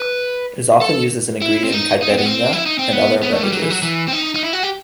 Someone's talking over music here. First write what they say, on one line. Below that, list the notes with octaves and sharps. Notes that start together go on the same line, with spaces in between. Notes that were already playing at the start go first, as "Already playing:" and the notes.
It is often used as an ingredient in caipirinha and other beverages.
Already playing: B4
A4
E4
C4
D#4
D#4
C4
B3
C4
E4
D#4
C4
B3
B3
A3
G3
F#3
E3
F#3
E3
C4
D#4
D#4
E4
F#4
G4